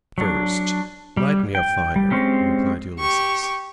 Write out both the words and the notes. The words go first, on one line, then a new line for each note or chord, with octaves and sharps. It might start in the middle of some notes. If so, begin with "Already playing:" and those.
"First light me a fire," replied Ulysses.
F#3 D4
G3
G5
G3
G#3 C4 C#4 G4
G4 C#6